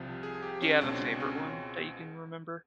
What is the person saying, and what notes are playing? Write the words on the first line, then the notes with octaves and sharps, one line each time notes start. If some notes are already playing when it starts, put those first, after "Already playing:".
Do you have a favorite one that you can remember?
Already playing: C2 C3 F3
G#4
G4
C#4
C#2 B2 G#3 C4 D4
D4
C#4